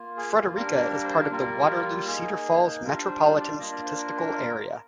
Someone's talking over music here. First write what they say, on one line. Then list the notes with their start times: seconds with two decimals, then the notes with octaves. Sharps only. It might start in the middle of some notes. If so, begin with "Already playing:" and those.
Frederika is part of the Waterloo-Cedar Falls Metropolitan Statistical Area.
Already playing: A#3 F4
0.17 G#4
0.56 G3 A#3 D4 A#4
0.74 A#4
0.94 A#4
1.04 C5
1.16 A#4
1.31 G3 A#3 F4 A#4
2.07 A#3 D#4 G#4
2.83 G3 D4 F4 A#4
3.03 C5
3.22 C5
3.41 D5
3.59 A#3 D4 F4 D#5
3.72 D5
3.85 C5
3.98 A#4
4.16 A#4